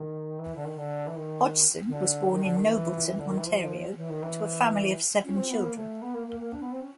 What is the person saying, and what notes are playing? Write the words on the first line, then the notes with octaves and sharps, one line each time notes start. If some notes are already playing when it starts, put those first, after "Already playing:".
Hodgson was born in Nobleton, Ontario to a family of seven children.
Already playing: D#3
E3
D3
D#3
D3
E3
D#3
D#3
D3
D#3
D3
D#3
E3
E3
D3
D#3
E3
F3
E3
D#3
E3
C#4
C4
B3
A#3
A3
B3
A#3
A#3
A#3
D4
B3
C4
C#4